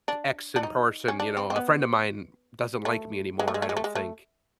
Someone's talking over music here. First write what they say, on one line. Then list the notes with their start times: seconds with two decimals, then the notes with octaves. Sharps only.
"X and person," you know, "A friend of mine doesn't like me anymore, I don't think."
0.08 D4
0.56 D4
0.63 D#4
1.08 C#4
1.20 D4
1.37 C4
1.50 C4
1.56 B3
2.85 A3
3.39 G#3
3.48 A3
3.54 G#3
3.62 A3
3.69 G#3
3.77 A3
3.84 G#3
3.95 A3